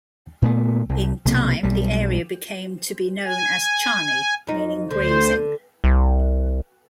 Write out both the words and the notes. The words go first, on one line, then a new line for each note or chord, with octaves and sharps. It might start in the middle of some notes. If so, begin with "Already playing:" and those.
In time the area became to be known as "Charni" meaning grazing.
A#2 A3 B3
C2
B1 C3 A#3
B1 G3
G#5
F2 D#4
D2 D3 C5
C2